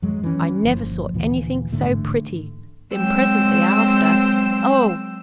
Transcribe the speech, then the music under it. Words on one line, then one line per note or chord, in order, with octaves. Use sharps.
I never saw anything so pretty!' then presently after, 'Oh!
F#2 F#3 G#3
E3 C#4
G1 A#2 F3
D2 A#2 E3
A1 G#2 D3 A3
F#3 G#3 C4 G5 E6